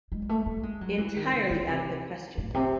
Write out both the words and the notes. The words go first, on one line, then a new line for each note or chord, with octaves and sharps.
Entirely out of the question.
G#3
A3
A3
G#3
F#3
E3
D#3
C#3
D#3
C3
A2
C3